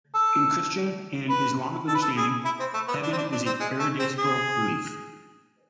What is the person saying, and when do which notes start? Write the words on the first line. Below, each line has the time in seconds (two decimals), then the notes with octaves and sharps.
In Christian and Islamic understanding, Heaven is a paradisaical relief.
0.14 A4
1.29 B4
1.88 A4
1.95 B4
2.02 A4
2.17 G#4
2.45 E4
2.60 C4
2.74 A3
2.88 B3
3.03 D4
3.12 C4
3.17 D4
3.32 D4
3.46 C4
3.60 G#3
3.80 A3
3.99 C4
4.18 G#4